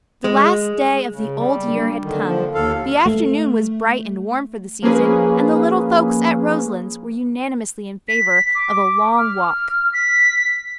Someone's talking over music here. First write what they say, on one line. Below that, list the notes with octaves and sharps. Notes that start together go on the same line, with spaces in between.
The last day of the old year had come; the afternoon was bright and warm for the season, and the little folks at Roselands were unanimously in favor of a long walk.
G#3
C#3
G3
F#3 A#3 D4
D3 D#3
F3
D#2 A4 F5
A3
F3 A#3 C#4 G#4 B4
B6
D6
F6
B6